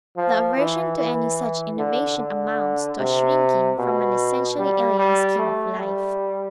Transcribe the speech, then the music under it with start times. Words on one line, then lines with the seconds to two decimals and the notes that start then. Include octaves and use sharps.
The aversion to any such innovation amounts to a shrinking from an essentially alien scheme of life.
0.17 F3
0.58 E3
0.98 E3
1.78 D3
2.18 D3
2.99 C3
3.78 B2
4.59 G3
4.99 G3
5.39 A3
5.80 G3